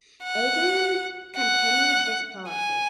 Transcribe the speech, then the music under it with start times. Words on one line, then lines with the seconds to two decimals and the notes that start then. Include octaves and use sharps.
Adrian continued this policy.
0.24 F#5
1.36 F#5
2.49 G#5